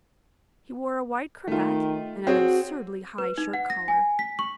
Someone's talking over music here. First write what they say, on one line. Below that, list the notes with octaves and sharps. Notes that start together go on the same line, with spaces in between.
He wore a white cravat, and an absurdly high shirt collar.
D#3 A3 F4
C4 F#4 G#4 C#5
B4
D#4
F#5
A#6
G#5
B6
C#6